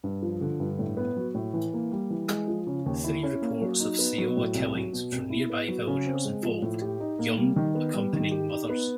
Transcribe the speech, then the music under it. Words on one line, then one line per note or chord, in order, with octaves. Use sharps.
Three reports of saola killings from nearby villagers involved young accompanying mothers.
G2
F3
D3
G2
A2
B3
F#3
A2
E3
A#3
G3
E3
G#3
F3
C#3
D#2
E4
C#4
A#3
F#3
D#4
B3
F#3
A2
C2
F#3
B2
C2
E4
B3
F#3
C#3
C4
G#3
F3
A2
G4
D#4
A#3
G3
D#3
B3
G3
D#3
G4
D#4
B3